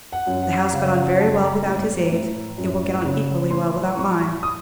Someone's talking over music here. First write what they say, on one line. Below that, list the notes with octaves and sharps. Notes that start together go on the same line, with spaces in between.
The house got on very well without his aid; it will get on equally well without mine.
F#5
F#2
F#5
C#3 F5
F#5
F#2 A5
A#5
A2
A2
F#2
C#3
A2 C6
C6
A2 C#6
C#6
D#6